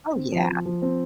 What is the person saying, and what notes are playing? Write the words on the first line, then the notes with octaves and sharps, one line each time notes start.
Oh, yeah.
C4
F3
F3
F3
C4